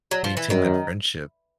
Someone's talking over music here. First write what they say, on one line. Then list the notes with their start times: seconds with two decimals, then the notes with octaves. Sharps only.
maintain that friendship.
0.11 F#3
0.24 F3
0.37 E3
0.50 F#2 D#3